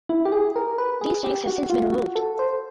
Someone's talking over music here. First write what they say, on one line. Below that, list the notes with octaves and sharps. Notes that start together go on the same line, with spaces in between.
These tanks have since been removed.
E4
G4
G#4
A#4
B4
G#4
G4
F#4
F4
F#4
A4
C5